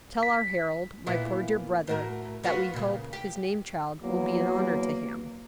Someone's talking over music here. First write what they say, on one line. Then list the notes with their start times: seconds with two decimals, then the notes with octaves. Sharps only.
"Tell our Harold--my poor dear brother--that we hope his name-child will be an honor to him."
0.23 B6
1.06 A#2 B3 E4
1.88 A2 F#4 A#4
2.44 B3 F4 F#4
2.74 A#2 C#3
3.13 G4
4.03 E2 F#3 A#3